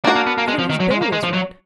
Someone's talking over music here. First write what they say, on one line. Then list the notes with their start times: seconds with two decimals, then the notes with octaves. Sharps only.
Even his bill was red.
0.04 A#3 D4 F#4 A#4
0.15 A#3
0.27 B3
0.38 A#3
0.48 G#3
0.59 F3
0.70 D#3
0.80 F#3
0.91 G#3
1.02 A#3
1.13 G#3
1.23 F3
1.34 F#3